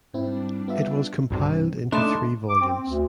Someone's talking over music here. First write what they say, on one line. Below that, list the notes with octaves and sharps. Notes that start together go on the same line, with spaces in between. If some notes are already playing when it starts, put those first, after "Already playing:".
It was compiled into three volumes.
G#2 G3 C4 D4 E4
B3 F4 E5
B1 G2 C3
A3 D4 D#4 A5 B5 C6 D6
D6
C4
C4
D2